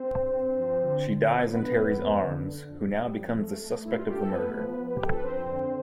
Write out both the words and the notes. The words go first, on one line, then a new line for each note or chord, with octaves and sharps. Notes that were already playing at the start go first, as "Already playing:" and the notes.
She dies in Terry's arms who now becomes the suspect of the murder.
Already playing: C4 C5
G2
G2
F3
D3
D3
F3
D3 B3 B4
F2
F2
D3
D3
F2
G3
F2
A3
A3
G2 E4
F4
A3 G4
A4
A3 B3 B4
F3
F3
G4
G2 A4
B4
F2 C4 C5
D3